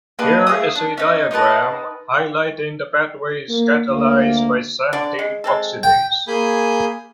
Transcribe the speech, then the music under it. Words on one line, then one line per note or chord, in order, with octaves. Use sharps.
Here is a diagram highlighting the pathways catalyzed by xanthine oxidase.
A#3 D4 B4 D#5
A3 G#4 F5 D#6
D4
C#4 D#4
D#4 A#4 B4 A5
A#3
D2 A#3
D3 D5
G#3
G#3 C4 A4
G5
A#3 G#4 G#5 B5 G6